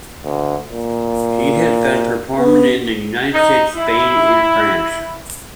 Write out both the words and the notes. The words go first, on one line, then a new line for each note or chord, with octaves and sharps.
She has been performing in the United States, Spain, and France.
D2
A#2
B3
D#4
E4